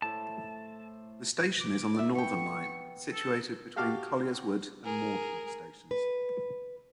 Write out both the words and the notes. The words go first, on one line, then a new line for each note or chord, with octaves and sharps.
The station is on the Northern line, situated between Colliers Wood and Morden stations.
A2 C5 A5
D6
D5 E5
B3 G5 C#6
A4
F#4 G4 F5 A5 D6 F6
G#4 A#4
B4